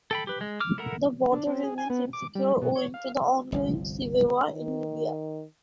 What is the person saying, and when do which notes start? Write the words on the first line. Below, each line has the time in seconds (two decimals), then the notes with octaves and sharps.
The border remains insecure owing to the ongoing civil war in Libya.
0.11 A4 G5 B5
0.27 G4 B4
0.41 G#3
0.60 D6 F6
0.78 E4 A4 A#4 F#5 A#5
1.32 D4
1.47 C4
1.64 G#4
1.78 G#5
1.90 B3
2.13 D6
2.35 G3
2.62 B2
2.76 C#5
2.94 F5
3.52 G1 C2 F3
4.53 D#3